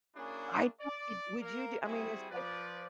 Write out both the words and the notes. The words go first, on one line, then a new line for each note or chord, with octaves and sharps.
I wouldn't would you do I mean, it's like
A#3 C#4 D4 E4 F#4 G#4
D5
A#3 A#4
G3 C4 E4 F#4 G#4
F3 B4 D5